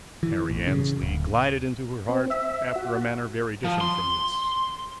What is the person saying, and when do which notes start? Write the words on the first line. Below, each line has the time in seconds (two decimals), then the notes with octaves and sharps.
Harry Annesley glided into her heart after a manner very different from this.
0.23 E3
0.50 A1
0.67 C#3
1.01 D1
2.09 C4
2.30 E5
2.76 F#4
3.64 F3
3.81 C6